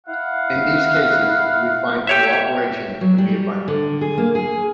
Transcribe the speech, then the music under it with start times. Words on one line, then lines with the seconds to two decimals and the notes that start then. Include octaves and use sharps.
In these cases, we find cooperation to be abundant.
0.07 E4 F5 F#5
2.07 G4 C#5 E5
3.01 F#3
3.18 G3
3.68 D3
4.01 G#4
4.18 A#3
4.35 G#4